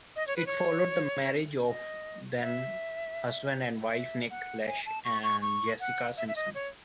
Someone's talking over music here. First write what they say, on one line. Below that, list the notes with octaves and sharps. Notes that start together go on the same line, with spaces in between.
It followed the marriage of then husband and wife Nick Lachey and Jessica Simpson.
D#5
C#5
B4
C#5
D#5
E5
E5
F#5
G#5
A5
C#6
C#6
C#6
F#5
E5
E5
D#5
C#5